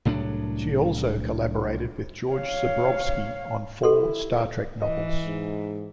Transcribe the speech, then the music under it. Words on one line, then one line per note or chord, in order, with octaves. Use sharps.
She also collaborated with George Zebrowski on four "Star Trek" novels.
C2 A2 F#3 D4
C#5 F5
E4 G4 A4 C6
E3 D#5
G#2